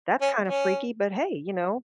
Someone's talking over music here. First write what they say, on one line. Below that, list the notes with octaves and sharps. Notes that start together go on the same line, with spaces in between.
that's kinda freaky, but hey, you know,
C#4
C#4